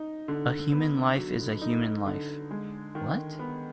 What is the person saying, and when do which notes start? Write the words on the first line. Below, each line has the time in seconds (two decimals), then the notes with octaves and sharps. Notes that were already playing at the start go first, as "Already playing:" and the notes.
A human life is a human life, what?
Already playing: D#4
0.28 D3
0.73 B3
1.17 F#3
1.62 D#4
2.06 D3
2.51 G#3
2.95 D#3
3.39 B3